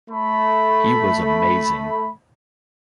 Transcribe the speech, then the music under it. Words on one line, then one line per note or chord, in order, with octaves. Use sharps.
He was amazing.
A3 B5